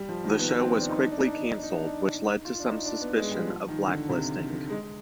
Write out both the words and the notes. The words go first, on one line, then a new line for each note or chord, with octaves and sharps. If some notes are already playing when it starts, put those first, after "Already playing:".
The show was quickly cancelled, which led to some suspicion of blacklisting.
Already playing: G3
F3
D#3
B3
C4
D4
D#4
D4
D#4
D4
D#4
D4
D#4
D4
D#4
D4
D#4
D4
D#4
D4
D#4
F4
D4
D#4
D4
B3
G#3
G3
F3
D#3
D3
C3
G#3